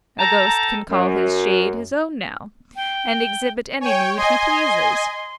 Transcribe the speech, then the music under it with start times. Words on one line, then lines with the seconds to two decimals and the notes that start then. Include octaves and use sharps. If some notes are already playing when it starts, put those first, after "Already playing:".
A ghost can call his shade his own now, and exhibit any mood he pleases.
0.20 A4 G5 A5 A#5
0.90 F#2
2.76 G5
3.81 C#5 G5 G#5
4.17 D#5 G#5 C6